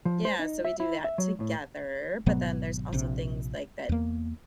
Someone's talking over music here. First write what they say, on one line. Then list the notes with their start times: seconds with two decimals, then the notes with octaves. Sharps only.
yeah, so we do that together, but then there's also things, like, that
0.05 F3
0.25 C5
0.39 D#4
0.65 E5
0.80 E4
1.04 E5
1.18 F#3
1.40 A2
2.26 G#1 B2 F#3 B3
2.93 A#1 C3
3.89 E2 A#3